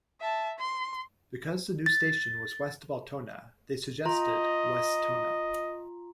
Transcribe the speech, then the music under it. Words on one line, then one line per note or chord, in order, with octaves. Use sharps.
Because the new station was west of Altona, they suggested Westona.
E5 A5
C6
A6
F4 D#5 A#5